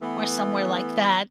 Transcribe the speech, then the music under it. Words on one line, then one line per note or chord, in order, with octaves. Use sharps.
or somewhere like that,
E3 A3 B3